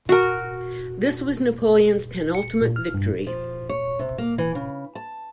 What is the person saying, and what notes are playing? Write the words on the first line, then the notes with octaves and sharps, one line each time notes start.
This was Napoleon's penultimate victory.
F#4 A#4
C#7
A#2
F6
G2
F3
C#5
C3
A#3
E3
C#3
A5